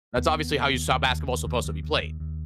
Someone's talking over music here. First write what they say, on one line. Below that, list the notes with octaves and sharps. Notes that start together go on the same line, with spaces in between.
That's obviously how you saw basketball supposed to be played.
D#2 B3
D#2
D#2
D#2
D#2
D#2
D#2
D#2
D#2
D#2
D#2
D#2